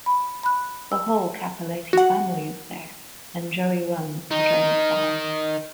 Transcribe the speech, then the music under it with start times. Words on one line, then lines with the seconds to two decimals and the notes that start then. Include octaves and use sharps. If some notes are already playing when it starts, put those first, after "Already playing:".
The whole Cappelletti family is there, and Joey runs to John's side.
0.06 B5
0.43 B5 F#6
0.92 E6
1.93 F#4 F#5
4.31 D#3 D#4